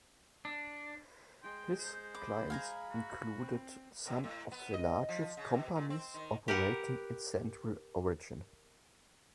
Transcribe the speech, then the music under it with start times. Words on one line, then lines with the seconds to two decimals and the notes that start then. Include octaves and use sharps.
His clients included some of the largest companies operating in central Oregon.
0.45 D4
1.43 G#3 G5 C6
1.78 C5 G6
2.14 B5 D6
2.50 F5 G#5 A#5
2.89 F#4
3.38 C4
4.07 B2
4.24 A2
4.52 B3
4.74 D#5
5.09 F3
5.37 C#3
5.54 B2
5.76 A#2
5.90 C4
6.14 D#3
6.48 G4 A#4 B4 F#5